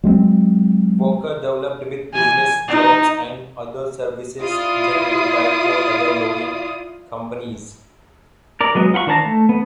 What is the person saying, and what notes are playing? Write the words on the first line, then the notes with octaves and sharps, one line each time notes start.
Walker developed with business, jobs and other services generated by four other logging companies.
F#3 G#3 A#3 C4
G#5
D#4
E4 F4 D5 D#6
A#4 D5
F#3 G#3 B3
F4 F#5 B5 C#6
D#3 D4 C5 A5 A#5
A3
B3